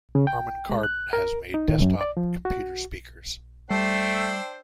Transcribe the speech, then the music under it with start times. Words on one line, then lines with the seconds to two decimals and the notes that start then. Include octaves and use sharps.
Harman Kardon has made desktop computer speakers.
0.15 C#3
0.27 G5
0.69 G#3
0.83 F#6
1.13 A#4
1.54 D#4
1.68 D#3
1.82 F#2
2.01 D5
2.17 F3
2.45 F#4
3.70 G3 A3 D4 C5 G5 E6 C7